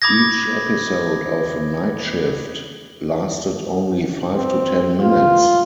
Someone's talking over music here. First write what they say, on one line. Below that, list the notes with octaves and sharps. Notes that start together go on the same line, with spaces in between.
Each episode of "Night Shift" lasted only five to ten minutes.
B5 D6 D#6 G#6 A#6
C4
F4